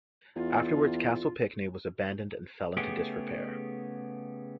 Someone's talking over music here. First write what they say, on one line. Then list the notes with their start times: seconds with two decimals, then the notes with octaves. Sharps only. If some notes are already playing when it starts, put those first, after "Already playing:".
Afterwards, Castle Pinckney was abandoned and fell into disrepair.
0.36 E2 F4
2.77 C#3 A3 B3 G4 G#4